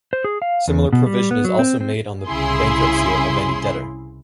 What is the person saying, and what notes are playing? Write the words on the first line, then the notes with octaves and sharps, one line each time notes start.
Similar provision is also made on the bankruptcy of any debtor.
C5
G#4
F5
E2
B2
G3
B3
F#3
C4
C4
C2 C#3 E4 G#4 C6